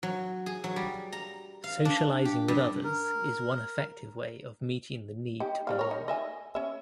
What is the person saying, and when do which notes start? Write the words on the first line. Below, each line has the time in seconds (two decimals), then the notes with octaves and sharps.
Socializing with others is one effective way of meeting the need to belong.
0.03 F#3
0.46 G#4
0.64 F#3
0.76 G3
1.12 A#5
1.64 F5
1.85 D4
2.25 G4
2.48 G2
2.84 A#4
5.40 D#4 G4
5.67 G3 D#4 F5
5.79 A#4 C#5
5.91 D#4
6.08 D#5 E5 G#5
6.55 C#4 E5